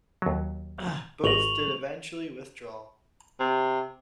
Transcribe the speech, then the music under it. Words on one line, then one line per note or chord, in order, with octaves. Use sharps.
Both did eventually withdraw.
D#2 F#3
G#1 D#5 C#6 F7 F#7
C3